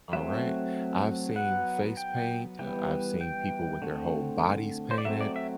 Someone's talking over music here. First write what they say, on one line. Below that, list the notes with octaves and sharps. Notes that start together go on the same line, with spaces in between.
alright? I've seen face paint, uh, I've seen people with their whole bodies painted.
F#3 A3 C4 E5
F#3 B3 F#5
G5
E3 G3 B3 G5
G5
D3 A3 C4
C5
D5
F#3 A3 C4 E5
D5
E5